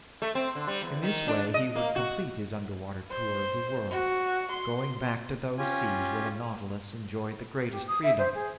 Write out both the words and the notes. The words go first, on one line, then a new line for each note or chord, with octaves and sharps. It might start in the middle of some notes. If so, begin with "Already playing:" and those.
In this way he would complete his underwater tour of the world, going back to those seas where the Nautilus enjoyed the greatest freedom.
A3
C4
D3
G3
E2
D#3
D4
D#5
A#3
F#4
C5
F#4
C6
C#4 F4 G4 G#5
G4
D#6
E5
C5
G#4